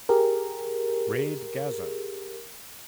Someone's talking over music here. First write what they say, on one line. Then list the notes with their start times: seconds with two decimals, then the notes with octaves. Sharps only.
Raid Gaza!
0.09 G4 G#4 A#4